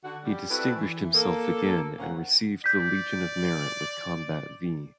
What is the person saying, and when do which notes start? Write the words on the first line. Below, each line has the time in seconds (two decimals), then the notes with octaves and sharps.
He distinguished himself again and received the Legion of Merit with Combat "V".
0.04 D3 F#4
0.25 G3
0.50 C4 E4 F#4 A4 B4 D5
0.76 E3
1.14 A#3 A4
1.98 D2 C4 C#4 A#4 F5 F#5
2.64 D5 G6 B6